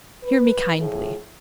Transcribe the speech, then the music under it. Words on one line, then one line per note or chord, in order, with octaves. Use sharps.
Hear me kindly!
B4
A2 F3 A3 F4 G#4